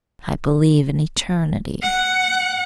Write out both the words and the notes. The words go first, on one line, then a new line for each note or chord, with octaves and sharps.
I believe in Eternity.
F#5